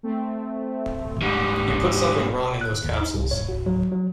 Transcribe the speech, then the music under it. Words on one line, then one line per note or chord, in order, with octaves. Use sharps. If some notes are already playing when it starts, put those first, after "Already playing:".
You put something wrong in those capsules.
A3 C4
G#2 G3 F#5 D#6
F#6
D#2
D#4
C2
C#5
F#4
F#3
F#3